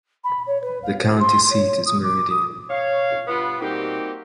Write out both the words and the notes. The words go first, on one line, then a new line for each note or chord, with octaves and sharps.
The county seat is Meridian.
B5
C#5
B4
F5
C5
C6
C#5
D#6
D6
D#6
C#5 F5
G2 B3 F4 B4
G3 A#3 C4 D#4 F#4 G4